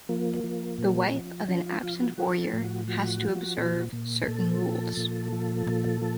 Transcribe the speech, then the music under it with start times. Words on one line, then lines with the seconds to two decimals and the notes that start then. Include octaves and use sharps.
The wife of an absent warrior has to observe certain rules.
0.09 F3 A#3
0.44 F3
0.78 A#2
1.14 F3
1.48 F3 C#4
1.66 F4
1.83 F3 F4
2.00 F#4
2.18 F3 F#4
2.42 A4
2.53 A2
2.65 F#4
2.88 F3 F#4
3.22 F3
3.58 A#2
3.93 A#2
4.28 A#2 A4
4.62 F3
4.97 A#2
5.32 F3
5.67 A#2
6.01 F3